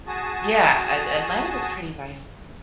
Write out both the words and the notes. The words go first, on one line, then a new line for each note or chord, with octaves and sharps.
yeah, At Atlanta was pretty nice.
F#4 G#4 A5 D#6